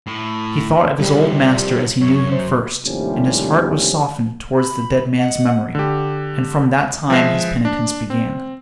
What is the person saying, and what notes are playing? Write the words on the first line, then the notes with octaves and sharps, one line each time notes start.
He thought of his old master as he knew him first, and his heart was softened towards the dead man's memory; and from that time his penitence began.
A2
C2 F3 G3
F#2 C#5
C5
D#2 A2 C3 F3 G3 C#4
B5
D#5 F#5
D3 G4
F3 G#3 B4 E5 A#6 C7
D4
C4